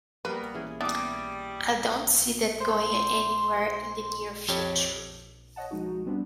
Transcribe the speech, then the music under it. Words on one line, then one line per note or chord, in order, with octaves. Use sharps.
I don't see that going anywhere in the near future.
G3 A#3 B3 A#4 B4
E3 C#4 G#4
G3 B3 D4 E4 D6 D#6 A6
C5 C6
F2 G4 C#5
C#5 D#5 F#5 A5
F3 G#3 D#4 F#4
G3 B3 C4 D4